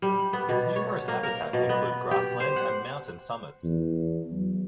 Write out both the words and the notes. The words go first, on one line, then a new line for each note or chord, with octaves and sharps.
Its numerous habitats include grassland and mountain summits.
G3
B3
B2
C#5
A#3
A#4
B2
B3
G4
C5
F#5
E2
F#3